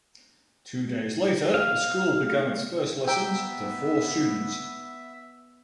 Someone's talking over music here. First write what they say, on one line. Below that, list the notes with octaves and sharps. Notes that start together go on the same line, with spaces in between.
Two days later, the school began its first lessons to four students.
F5
B3 E5 G5 A#5 E6